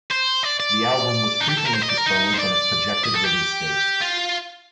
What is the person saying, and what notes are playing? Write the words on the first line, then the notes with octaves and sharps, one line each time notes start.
The album was frequently postponed from its projected release date.
C5
D5
D5
D#4
G4
A4
A#4
C5
D#5
D5
A#4
D#4
C5
D5
D#5
A4
G4
F4